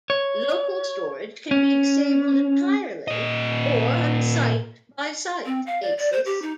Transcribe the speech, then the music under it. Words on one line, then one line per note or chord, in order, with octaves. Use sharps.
Local storage can be disabled entirely or on a site-by-site basis.
C#5
C#4
A#2 D#5
C4
F5
D5
D5
C5
G4
D#4